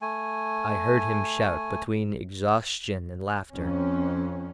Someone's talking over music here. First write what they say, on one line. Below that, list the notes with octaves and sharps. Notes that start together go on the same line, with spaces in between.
I heard him shout between exhaustion and laughter. . . .
A3 G#5
F2 C#4